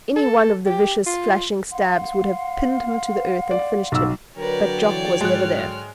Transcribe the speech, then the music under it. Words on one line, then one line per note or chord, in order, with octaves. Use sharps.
Any one of the vicious flashing stabs would have pinned him to the earth and finished him; but Jock was never there.
A4
G4
F4
F5 F#5 C6
D5
B1 E6
D3 F#3 A#4 B4 C#5 D5 G5
E3
G#2 G#3 F6 F#6